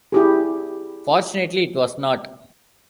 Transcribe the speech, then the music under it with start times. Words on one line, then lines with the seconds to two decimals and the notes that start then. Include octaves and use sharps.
Fortunately, it was not.
0.12 E4 G4 G#4